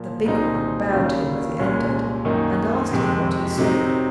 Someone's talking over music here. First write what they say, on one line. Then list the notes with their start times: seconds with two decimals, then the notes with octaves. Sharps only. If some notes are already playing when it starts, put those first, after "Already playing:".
The big one bowed to him as he entered, and asked him what he sought.
Already playing: A#2 F3 A#3
0.26 C2 A#2 F#3 C4 D#4
0.92 D#2 C#3 F#3 A#3 C#4
1.58 C2 A#2 G#3 C#4
2.25 F#2 D#3 A#3 D#4
2.91 F2 C3 D#3 G#3
3.57 C3 F#3 C4 D#4